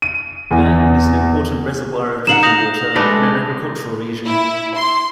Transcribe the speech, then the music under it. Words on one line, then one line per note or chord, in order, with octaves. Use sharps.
The island is an important reservoir of drinking water and an agricultural region.
D#7
E2
D#4 F5 F#5 E7 F#7
D#6 G6 A#6 F7
G#3 A3 D4 B4
E4
C6